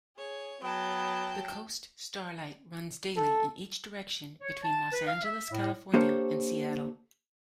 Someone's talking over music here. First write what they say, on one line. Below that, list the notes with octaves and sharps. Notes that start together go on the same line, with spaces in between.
The "Coast Starlight"runs daily in each direction between Los Angeles, California and Seattle.
G#4 C#5
F#3 B3 G5 A5
A4
C#5
A5
B4
F5
E5
A2
A#3 D4 G4 A4 C5 C#5